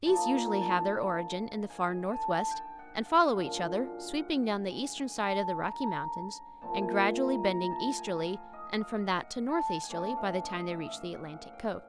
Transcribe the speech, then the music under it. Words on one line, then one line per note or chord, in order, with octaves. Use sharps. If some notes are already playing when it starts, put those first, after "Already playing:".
These usually have their origin in the far northwest, and follow each other, sweeping down the eastern side of the Rocky Mountains and gradually bending easterly and from that to northeasterly by the time they reach the Atlantic coast.
D3 F3 A#3 D#4 A5
A#5
A5
G#5
G#5
A5
A5
G5
F#5
F5
F#2 D3 F3 G#3
F5
F#5
G5
G#5
G#5
A5
A5
A#5
A5
A#5
A#2 F3 A3 C4 A5
G#5
G#5
A#5
A#5
A5
G#5
F5
D#5
F5
F#5
A5
G#5
E3 A3 C#4 A5
F5
D#5
E5
E5
F5
F#5
F5
G5